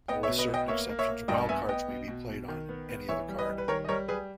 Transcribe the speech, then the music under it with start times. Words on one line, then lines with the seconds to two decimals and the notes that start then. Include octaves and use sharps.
With certain exceptions, wildcards may be played on any other card.
0.08 B3 D#5 G5
0.23 C#5 E5
0.29 B2
0.38 B4 D#5
0.49 B3
0.54 D#5 G5
0.68 A#3 C#5 E5
0.89 A#3
0.99 C#5 E5
1.09 A#3
1.28 G2 D#5 G5
1.49 B3 E5 G#5
1.68 B3 D#5 G5
1.88 B2
2.08 B2
2.29 B2
2.48 D#3
2.69 B3
2.89 B3
3.09 E3 C#5 E5
3.29 G3
3.39 B4 D#5
3.49 G3
3.58 B4
3.68 D#3 A#4 C#5
3.85 D#5
3.88 G3 A#4 C#5
4.08 G3 G#4 B4